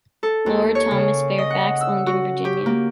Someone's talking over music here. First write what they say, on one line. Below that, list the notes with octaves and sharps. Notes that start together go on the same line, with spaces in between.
Lord Thomas Fairfax owned in Virginia.
A4
D#2
C#5
C#3
D#5
F#5
E6
F#4
G4
A#3